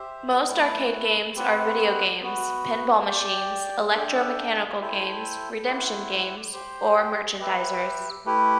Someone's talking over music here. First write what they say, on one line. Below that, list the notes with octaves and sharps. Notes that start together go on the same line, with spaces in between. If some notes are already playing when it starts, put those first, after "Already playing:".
Most arcade games are video games, pinball machines, electro-mechanical games, redemption games or merchandisers.
Already playing: G4 C5 E5
A3 E4 B4
C4 G4 B4 F#5
B3 F#4 B4
G4 D5 G5
D4 A4 E5 G5
E4 A4 C5 E5 G5
E4 G4 C5 F#5
G4 C5 G5
G4 B4 E5
A3 E4 G4 B4